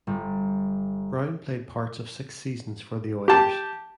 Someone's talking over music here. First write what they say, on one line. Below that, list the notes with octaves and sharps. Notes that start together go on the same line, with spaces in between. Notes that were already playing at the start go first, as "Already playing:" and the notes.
Brown played parts of six seasons for the Oilers.
G1
G4 A5